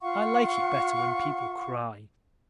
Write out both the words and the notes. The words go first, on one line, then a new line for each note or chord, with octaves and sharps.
I like it better when people cry.
F4 F5 F#5 C#6